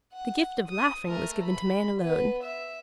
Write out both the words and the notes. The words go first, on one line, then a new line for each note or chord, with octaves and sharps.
The gift of laughing was given to man alone.
F#5
D#6
A3 A#4
B5
B3 B4
E5